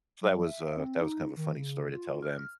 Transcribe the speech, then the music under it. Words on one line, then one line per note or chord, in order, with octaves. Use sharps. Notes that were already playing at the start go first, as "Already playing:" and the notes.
So that was, uh, that was kind of a funny story to tell them.
F#3
E5
C4
D#4
D#3
C#3
F4
F6